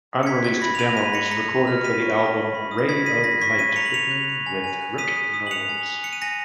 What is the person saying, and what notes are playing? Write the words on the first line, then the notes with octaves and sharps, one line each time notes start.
Unreleased demos recorded for the album "Ray of Light" written with Rick Nowels.
C#7
F#6 G#6 B6
F#6 G#6
B5 A#6
F7
F#6 D#7 F#7
F#6 B6 D#7
B5 A#6 C#7
D#7
A#5 A#6 C#7
A#5
F6
A#5 B6 D#7
C#6
A#5
B5
B5
D#6
A#6
B5 G#6 B6
B5 B6 D#7
B5 A#6
C#6 G#6 B6
F#6 B6 D#7
A#5 C#7 F7
F#7
C#6 C#7 F7
F#6
C#6
G#5
G#5
F#6
D#6 B6 D#7
D#6
D#6
F#7
F#6 C#7 F7
G#5
F#6
F#6 C#7
D#7
G#5 A#6 C#7